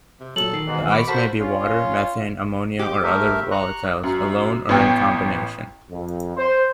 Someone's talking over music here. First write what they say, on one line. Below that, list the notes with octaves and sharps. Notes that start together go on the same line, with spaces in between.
The "ice" may be water, methane, ammonia, or other volatiles, alone or in combination.
C3
A#2 F#3 A4 F#7
D#3 C7
G#2 B2 E3
B5 C#6 D6
F#4 A4 A#4 C5 B5
C#4 F4
G4
A3 A#4 E5
A#5 C#6 F#6
F#2
A1 B3 G5
F2
C5